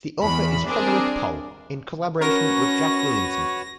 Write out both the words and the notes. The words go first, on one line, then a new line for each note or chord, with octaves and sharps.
The author is Frederik Pohl, in collaboration with Jack Williamson.
E2 B5
C4 D4 G#4 A#4
C#4 F#4 A#4 B4 C#5 A#6